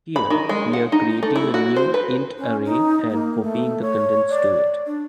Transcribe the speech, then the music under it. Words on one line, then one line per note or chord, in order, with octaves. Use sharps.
Here, we are creating a new int array and copying the contents to it.
B5
D#3
G#3
F#5
D#4
A3
E4
F#4
C5
B4
C#4
D#4
A#3
A3
C#5
D5
D4